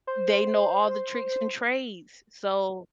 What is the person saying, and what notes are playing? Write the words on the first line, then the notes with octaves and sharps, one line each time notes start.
they know all the tricks and trades, so
C5